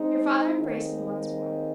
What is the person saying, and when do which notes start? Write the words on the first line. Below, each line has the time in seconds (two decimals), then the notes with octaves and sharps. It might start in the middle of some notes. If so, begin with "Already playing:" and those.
Your father embraced me once more.
Already playing: G#3 C4 D#4
0.59 D#2 D#3 C4 G#4 D#5